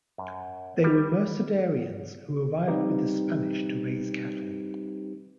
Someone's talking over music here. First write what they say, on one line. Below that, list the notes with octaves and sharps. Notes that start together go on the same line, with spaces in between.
They were Mercedarians who arrived with the Spanish to raise cattle.
F#2
G3
G3 C4 D#4 G4 B4